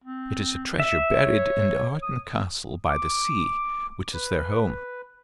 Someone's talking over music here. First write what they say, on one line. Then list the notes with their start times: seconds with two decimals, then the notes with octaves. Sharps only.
It is a treasure buried in Arden Castle by the sea, which is their home.
0.04 C4
0.80 E5
1.15 C#5
2.03 D#6
2.89 D6
4.13 B4